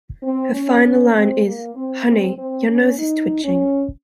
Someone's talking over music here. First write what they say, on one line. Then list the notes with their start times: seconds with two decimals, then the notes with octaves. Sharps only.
Her final line is "Honey, your nose is twitching".
0.23 C4
0.53 C#4
0.84 C#4
1.14 C4
1.45 A#3
1.75 C4
2.06 C4
2.37 C4
2.67 C#4
2.97 D#4
3.44 C#4